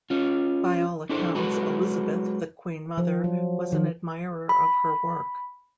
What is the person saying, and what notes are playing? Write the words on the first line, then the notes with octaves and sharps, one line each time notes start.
By all accounts Elizabeth, The Queen Mother was an admirer of her work.
C#4 F4
D4 E4 G4 A4 C5
F#3 G#3 F#4 A4 B4
F3
F#3
D#3
B5